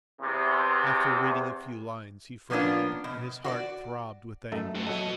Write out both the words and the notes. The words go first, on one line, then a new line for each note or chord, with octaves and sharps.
After reading a few lines he frowned and his heart throbbed with anguish.
E2 C3
F3 A#3 B3 C#4 D4 F4
B2
F#4 C5 D5
F#2 A3 D#4
A3 F#4
F#3 F#4 A4 D#5